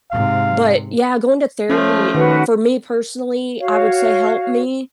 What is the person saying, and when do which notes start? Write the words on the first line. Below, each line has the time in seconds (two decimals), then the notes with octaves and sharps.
but yeah, going to therapy, for me personally, I would say helped me,
0.11 G#2 C3 F5
1.69 F3 A3 C#4
2.15 D#3 F#4 B4 F#5
3.60 F#4 C#5 F5